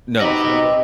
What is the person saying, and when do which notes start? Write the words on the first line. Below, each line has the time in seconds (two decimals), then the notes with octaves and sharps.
No, she doesn't. She
0.20 C4 D#4 F#4 G4 B4 D#5